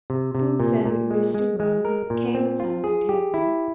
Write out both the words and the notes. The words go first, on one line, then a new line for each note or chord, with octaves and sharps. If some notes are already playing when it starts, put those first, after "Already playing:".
Fuchs and Wistuba came and sat at their table.
C3
C3
A#2
A#2
G#3
G#3
G#3
A#4
A#2
C4
F4
G#4
G4
E4